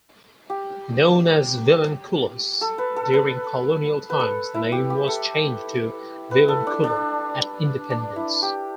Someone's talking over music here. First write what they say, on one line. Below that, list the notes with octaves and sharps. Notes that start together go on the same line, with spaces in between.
Known as "Vilanculos" during colonial times, the name was changed to "Vilankulo" at independence.
G4
A4
B4
A4
B4
B4
A4
E4
G4
G4
A4
B4
A4
D4
D4
D4
E4
G4